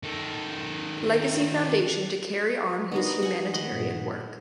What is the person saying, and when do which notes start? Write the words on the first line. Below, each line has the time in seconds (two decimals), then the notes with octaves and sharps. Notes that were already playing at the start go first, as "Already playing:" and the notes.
Legacy Foundation to carry on his humanitarian work.
0.03 D#3 A4
2.92 B3 D4 D#4 F#4 A#4
3.23 F#5 G#5
3.53 D#3 F#4 D#5 F#5 B5
3.72 G2 A#2